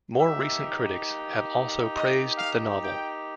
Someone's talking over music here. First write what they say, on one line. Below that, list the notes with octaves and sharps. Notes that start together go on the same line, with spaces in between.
More recent critics have also praised the novel.
A#3 D#4 G4 E5
D#5
F5
G5